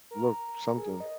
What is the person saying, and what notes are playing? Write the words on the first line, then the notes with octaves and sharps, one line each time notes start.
look something,
A#4
G#4
A#4
D#5